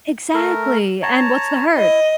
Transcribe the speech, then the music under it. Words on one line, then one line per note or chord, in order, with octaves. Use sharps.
Exactly, and what's the hurt?
A3 A#4
C#5 A5 A#5
E4 D#5